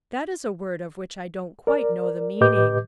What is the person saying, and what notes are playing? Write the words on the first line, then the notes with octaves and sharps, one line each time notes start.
"That is a word of which I don't quite know the meaning."
A#4 D5
A2 G4 B4 D#5 D6 G6